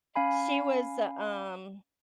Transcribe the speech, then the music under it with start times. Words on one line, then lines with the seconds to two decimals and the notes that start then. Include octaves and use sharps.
she was, uh, um
0.16 C#4 F5 G#5 B5